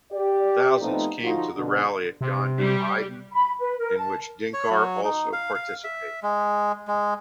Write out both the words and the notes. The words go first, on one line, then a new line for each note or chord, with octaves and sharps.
Thousands came to the rally at Gandhi Maidan in which Dinkar also participated.
G4 D5
F3 A3 B3 C4 D#4
D3 F3 D#4 F4 F#4
B2 D3
C3
G3
B5
B4
A#4
A5
C#5
F#3
D#4
F5
F5
E5
G#3
G#3